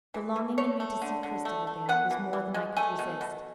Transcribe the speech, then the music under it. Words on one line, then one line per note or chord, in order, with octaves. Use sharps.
The longing in me to see Cristel again, was more than I could resist.
E3
E3
A3 C#5
A3
D3
D3
A3
A3
B3 F#5
E3
E3
G#3
A3 G#5
B2
B2